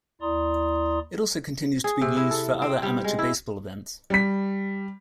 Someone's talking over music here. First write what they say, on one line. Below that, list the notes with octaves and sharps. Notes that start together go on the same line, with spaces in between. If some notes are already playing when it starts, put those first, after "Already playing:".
It also continues to be used for other amateur baseball events.
D#2 E4 D5 A#5 C6 D#6
G#4
C3
E4
A4
C4
G3
G#3
E4
G3 B6